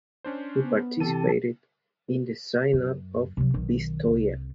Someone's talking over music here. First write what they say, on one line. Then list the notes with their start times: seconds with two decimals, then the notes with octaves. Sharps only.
He participated in the Synod of Pistoia.
0.24 C#4 D4 C5
0.61 B3
1.00 C3 E3 C4 G4 A4 A5 D#7
2.73 F#2
3.37 C3 F#3
3.54 B1 D#3
4.07 C2